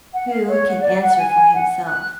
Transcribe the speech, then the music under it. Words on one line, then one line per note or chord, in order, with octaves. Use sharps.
Who can answer for himself?
F#5
F5
C#5
F#5
D5
F#5
G#5
F#5
F#6